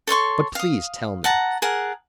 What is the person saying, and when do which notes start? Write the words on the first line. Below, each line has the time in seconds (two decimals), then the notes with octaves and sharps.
"But please tell me."
0.07 A4 C#5 C6 C#6
0.55 F5 D#6
1.24 F#5 A5 A#5
1.62 G#4 A#4 F#5 A5